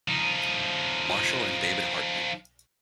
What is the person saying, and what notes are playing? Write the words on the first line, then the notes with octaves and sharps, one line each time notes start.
Marshall and David Hartman.
F3 D#4